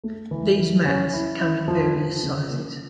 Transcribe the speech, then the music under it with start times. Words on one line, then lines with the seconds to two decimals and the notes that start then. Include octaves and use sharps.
These mats come in various sizes.
0.04 A3
0.31 E3
0.59 E3
0.85 C#4
1.13 E4
1.40 E4
1.68 F3
1.95 F3
2.23 C#3
2.50 A#3